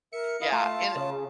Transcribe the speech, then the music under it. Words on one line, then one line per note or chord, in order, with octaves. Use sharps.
Yeah, and it
A#4 E5 C#7
E4 D#5 F5
A3 F4 A5
C#3